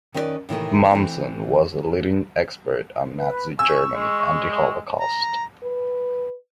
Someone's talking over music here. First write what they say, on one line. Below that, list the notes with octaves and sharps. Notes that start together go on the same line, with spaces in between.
Mommsen was a leading expert on Nazi Germany and the Holocaust.
D#3 C#4 D#4 E4 B4 D5
A2 C3 D#3 E3 G3 A3
E3 A3 C4
B4
G#5 C#6 E6
G#3
A#5
B4